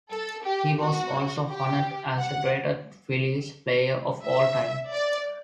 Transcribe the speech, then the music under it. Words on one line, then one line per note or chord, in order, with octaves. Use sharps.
He was also honored as the greatest Phillies player of all-time.
A4
G4
F#4
G4
F#5
E5
D5